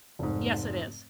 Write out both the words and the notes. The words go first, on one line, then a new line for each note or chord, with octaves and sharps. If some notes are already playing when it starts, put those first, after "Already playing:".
Yes, it is,
F1 G#2